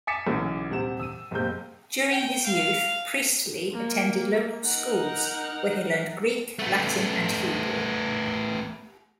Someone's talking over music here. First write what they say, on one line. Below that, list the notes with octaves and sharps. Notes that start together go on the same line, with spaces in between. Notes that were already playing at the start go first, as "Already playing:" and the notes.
During his youth, Priestley attended local schools where he learned Greek, Latin, and Hebrew.
G#5 D6 A6 B6 C#7 E7
B1 C#3 E3 F#4
D#1 C3 F#5 E7
E6 D#7
F#1 C3 G#3 A#3 C4 G6
G5
F5
A#3
D#4 A#4 F#5
A3 B3